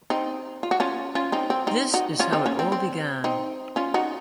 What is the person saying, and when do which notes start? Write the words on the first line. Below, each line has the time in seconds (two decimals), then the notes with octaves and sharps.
This is how it all began.
0.10 C4 D#4
0.63 F4
0.71 F#4
0.80 C#4 F4
1.15 C#4 F4
1.32 C4 D#4
1.50 C4
1.67 C4 D#4
1.94 D#4 F#4
2.20 C#4 F4
2.32 C4 D#4
2.46 A#3 C#4
2.59 C4
2.72 C4
3.24 C4 D#4
3.76 C#4 F4
3.94 D#4 F#4